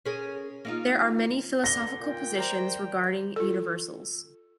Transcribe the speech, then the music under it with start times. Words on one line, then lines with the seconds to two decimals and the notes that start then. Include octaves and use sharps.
There are many philosophical positions regarding universals.
0.06 C#4 G#4 A#4
0.65 A#3 D#4 F4
1.64 B2 D3 A#6 G7
2.00 A#2 G5
2.38 C3 G4 A#4 C5 D5 A#5
3.36 F4 A4